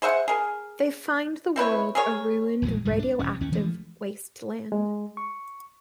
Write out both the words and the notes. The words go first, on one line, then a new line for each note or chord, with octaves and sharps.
They find the world a ruined radioactive wasteland.
G#4 C5 E5 F#5
G#4 A#4
C4 E4 B4 C#5
G#4 A#4 C#5
A#1 E2 F#3 G#3
B1 G#2 G3
D4
E1 C#4
D#2 C#4
E3 F3 G#3 A3
G#3
C#6